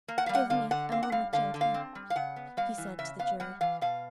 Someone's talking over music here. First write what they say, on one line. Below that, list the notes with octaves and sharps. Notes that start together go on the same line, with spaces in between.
"Give me a moment, gentlemen," he said to the jury.
A#3
F#5
G3 F5
F#5
D3 F5
D3 F#5
C4 F5
F#5
G3 F5
D3 F5
D3
F5
C4
G3
F5
C#3 F#5
B3
G3 F5
E3
C#3 E5
B3 F5
G3 F#5
E3 F5
B2 F5